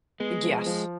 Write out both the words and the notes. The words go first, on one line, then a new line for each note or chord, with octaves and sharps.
Uh, yes.
G#3 B3
F3
F3